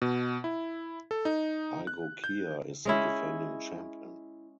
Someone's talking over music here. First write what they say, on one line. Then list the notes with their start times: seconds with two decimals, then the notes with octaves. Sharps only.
Igokea is the defending champion.
0.02 B2
0.44 E4
1.11 A4
1.25 D#4
1.87 F#6
2.24 G6
2.85 G#3 C#4 E4